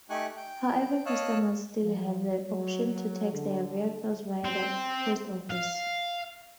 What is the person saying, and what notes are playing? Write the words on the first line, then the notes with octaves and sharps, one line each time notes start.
However, customers still have the option to tax their vehicles via the Post Office.
A3 D#4 G4 G#5 C#6 F#6
G5
C#5 D#5 F5 A5 E6 F#6
F3
F#3
D3
C4
F5